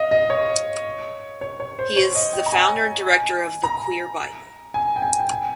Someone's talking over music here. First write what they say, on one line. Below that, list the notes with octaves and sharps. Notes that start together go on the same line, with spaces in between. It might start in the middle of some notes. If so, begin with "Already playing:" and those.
He is the founder and director of "The Queer Bible".
Already playing: D#5 F5
D#5
C#5
C#5
C#5
C5
C#5
D#5
G5
A#5
G#5
A#5
G#5
G5
G#5
G5
G#5